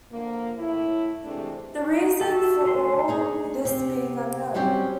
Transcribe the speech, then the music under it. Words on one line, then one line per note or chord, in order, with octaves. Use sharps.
The reason for all this being unknown.
D3 F3 A#3
A2 E4
C3 E3 G#3 A3 D4
D#4
F#4 A4
E5
D3 A3 C6
D4 D#4 G#4
C3
F#3 G3 C4 C#4 G4